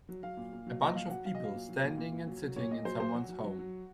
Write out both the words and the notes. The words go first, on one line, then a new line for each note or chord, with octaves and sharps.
A bunch of people standing and sitting in someones home.
F#3
F#3 F5
A#2
A#2
F#3
A#2 D#5
F#3 F5
F#3 F#5
F#3 F5
D#5
F#3 F5
A#2
F#3
A#2
A#2
A#2
F#3
F#3
A#2 C#5
A#2 D#5
F#3 C5
A#2 C5
F#3 F#4
F#3
F#3
F#3